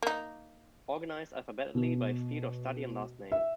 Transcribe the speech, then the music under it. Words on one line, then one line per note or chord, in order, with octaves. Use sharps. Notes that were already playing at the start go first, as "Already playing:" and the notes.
Organized alphabetically by field of study and last name.
A#3 D#4
B2
E5